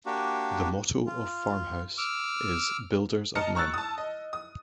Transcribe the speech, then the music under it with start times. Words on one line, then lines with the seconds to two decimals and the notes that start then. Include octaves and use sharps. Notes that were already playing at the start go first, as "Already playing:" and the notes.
The motto of FarmHouse is "Builders of Men".
0.06 A#3 D4 F#4 G4
1.07 F4
1.98 D6 E6 F6
3.35 D#5 A5 A#5 F6 C#7
3.55 A#5 C#6 E6 F#6 A6
3.74 A5 D#6
3.98 D#5
4.33 D#6